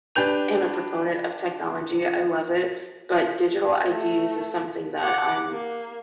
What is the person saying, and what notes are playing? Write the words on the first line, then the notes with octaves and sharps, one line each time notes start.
am a proponent of technology, I love it, but digital IDs is something that I'm
D4 G4 B4 G6 F7
A3
F#5 D6
A#3